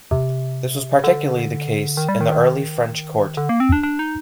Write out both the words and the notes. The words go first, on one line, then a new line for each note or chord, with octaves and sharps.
This was particularly the case in the early French court.
C3
D3
D#3
G3
D#3
D#3
D3
A#3
C4
D4
D4
D#4